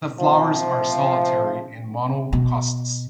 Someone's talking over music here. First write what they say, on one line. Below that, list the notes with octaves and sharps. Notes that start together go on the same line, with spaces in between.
The flowers are solitary in "Monocostus".
C3 F3
B2